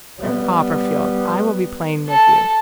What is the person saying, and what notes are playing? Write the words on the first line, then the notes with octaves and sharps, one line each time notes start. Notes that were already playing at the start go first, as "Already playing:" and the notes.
Copperfield, I will be plain with you.
G3 B3
A4 A5